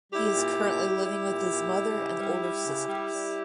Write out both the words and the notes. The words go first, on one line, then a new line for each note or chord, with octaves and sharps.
He is currently living with his mother and older sisters.
G3 E4 G4
A#2
A#2
G3
G3 E4 G4
A#2
A#2
G3
C#3
G3
G3
C#3
G3
G3